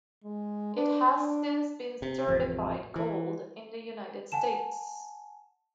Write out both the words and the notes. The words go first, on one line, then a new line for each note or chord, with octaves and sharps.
It has since been certified Gold in the United States.
G#3
D4
D4
C3
A1 F2 C3
E3
F#5 G#5 A5 E7